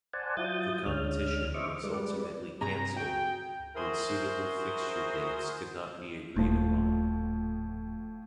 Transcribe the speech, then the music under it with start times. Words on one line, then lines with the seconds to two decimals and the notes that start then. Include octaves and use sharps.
The competition was ultimately cancelled, when suitable fixture dates could not be agreed upon.
0.13 C5 D5 F#5 G#5 A5
0.37 F#3 E4 F4 D#6 G6 A6
0.86 D2 D3 G#3 C#4 D4 F6
1.54 C5 D#5 E5 C#6 D6
1.83 G3 G#3 B4 D5
2.61 G2 C3 G#4 A#5
2.96 F#4 G#4 G5
3.75 E4 F#4 G#4 A#4 C5
6.36 D#1 A2 F3